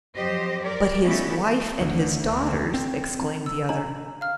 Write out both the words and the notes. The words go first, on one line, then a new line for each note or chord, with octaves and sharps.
"But his wife and his daughters!" exclaimed the other.
F2 F#3 G4 C5 D#5
A#4 D5
A3 B3 C#4 D#4 E4 A4
D2
D2
C4
E6
D4 D#5 A#5 F#7
F5 F6